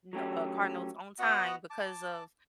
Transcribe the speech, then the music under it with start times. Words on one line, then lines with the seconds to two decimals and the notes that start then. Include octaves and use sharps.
no uh, car notes on time because of,
0.13 F#3 A3 C#4 G4
1.19 B3 F#4 D#5 F#5
1.70 A5 D6